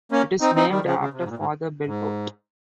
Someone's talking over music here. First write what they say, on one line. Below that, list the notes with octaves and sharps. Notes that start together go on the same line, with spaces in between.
It is named after Father Belcourt.
A#3 C#4
C4 D#4
C4 D#4
D#3 G3
C#3 F3
C#3
C3
G#2
A#2
G#2
G#2